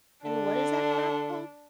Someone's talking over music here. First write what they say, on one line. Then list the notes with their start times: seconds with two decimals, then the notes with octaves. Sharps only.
And what is that crop called?
0.25 D3 D4